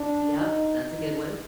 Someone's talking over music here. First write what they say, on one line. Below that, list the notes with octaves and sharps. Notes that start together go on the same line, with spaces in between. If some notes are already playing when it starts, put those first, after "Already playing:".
Yep, that's a good one.
Already playing: D4
D#4
D#4